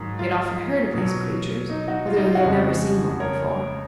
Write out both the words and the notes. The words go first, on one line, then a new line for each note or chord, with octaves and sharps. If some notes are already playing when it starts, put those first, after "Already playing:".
He had often heard of these creatures, although he had never seen one before.
Already playing: G#2 D#3 F#3
F4
B2 F#3
D#4
D#4 F#4
F4
D#4
F4
D#4 F#4
F2 C#3 G#3
A#4 C#5